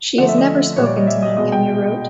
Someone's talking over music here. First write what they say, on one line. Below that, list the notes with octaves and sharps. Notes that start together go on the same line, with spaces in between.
She has never spoken to me, Kenya wrote.
D3 F3 A3 F#5
E5
D#5
A#2 G3 C#5
D5
D#5
E5
D#5
B2 G#3 D#5
G5